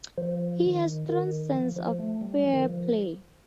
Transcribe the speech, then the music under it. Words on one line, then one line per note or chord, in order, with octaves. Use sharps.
He has strong sense of fair play.
F3
D#3
D#3
F3
F3
A3
G3
F3
D#3
F3